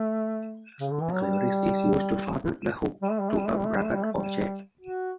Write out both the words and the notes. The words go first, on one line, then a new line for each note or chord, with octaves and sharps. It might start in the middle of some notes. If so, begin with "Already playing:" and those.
The clevis is used to fasten the hook to a bracket or chain.
Already playing: A3
C#3
D3
E3
F#3
G3
G3
A3
G3
A3
G3
A3
G3
A3
G3
A3
G3
A3
G3
F#4